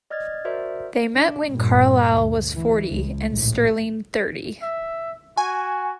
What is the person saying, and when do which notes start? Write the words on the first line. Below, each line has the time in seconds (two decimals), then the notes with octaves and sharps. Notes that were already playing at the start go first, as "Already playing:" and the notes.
They met when Carlyle was forty, and Sterling thirty.
0.10 D5 D#5 F6 G#6 A6
0.45 F#4 A#4 C5 D5 E5
1.15 D4
1.52 G2 A#2
2.07 D2
2.55 E3
2.88 C#2
3.30 A#1 A2
4.62 E5
5.37 F#4 G#5